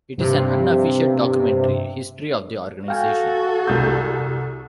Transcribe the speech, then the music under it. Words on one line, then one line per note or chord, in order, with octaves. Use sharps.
It is an unofficial documentary history of the organization.
G2 C3
F#4 A4 F5 G5 G#5
C2 G6